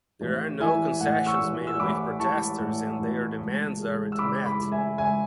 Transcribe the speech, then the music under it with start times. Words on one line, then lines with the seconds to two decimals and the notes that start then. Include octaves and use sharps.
There are no concessions made with protesters and their demands aren’t met.
0.21 A1
0.60 E3 E5 G#5
1.00 A2 F#5
1.26 C#6 E6
1.40 A1
1.67 E6
1.80 A1 B5 D6
2.20 E3 A5 C#6
2.59 A2
2.99 A1
3.39 C#2
3.79 G#3
4.12 E6
4.19 C#3 B5 D6
4.45 B5 D6
4.58 C#2
4.72 E5 G#5
4.98 C#2 E5 G#5